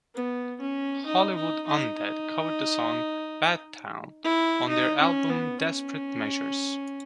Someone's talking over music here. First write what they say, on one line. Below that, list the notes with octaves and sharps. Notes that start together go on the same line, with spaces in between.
Hollywood Undead covered the song "Bad Town" on their album Desperate Measures.
B3
C#4
D#4
D#4
D#4
D#4
E4
D#4
C#4
B3
C#4